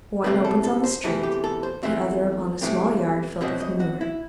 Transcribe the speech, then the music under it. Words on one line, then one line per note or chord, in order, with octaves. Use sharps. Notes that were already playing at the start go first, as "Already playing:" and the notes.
One opens on the street, the other upon a small yard filled with manure.
E2 C3 E3 A3 C4 B4
A4
A4
C5
E2 C3 E3 A3 C4
G4
A4
C5
E2 C3 E3 A3 C4 E5
E2 C3 E3 A3 C4
E2 B2 F#3 C4 D#5
D#5
F#4
E4